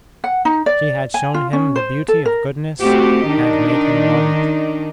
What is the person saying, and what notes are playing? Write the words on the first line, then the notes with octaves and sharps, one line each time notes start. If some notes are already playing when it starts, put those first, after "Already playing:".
She had shown him the beauty of goodness and made him love it.
F#5
D#4
D5
G#5
F4
C#4
C5
A4
A#4
A3 C4 F#4 G4
D#3 D4 D#4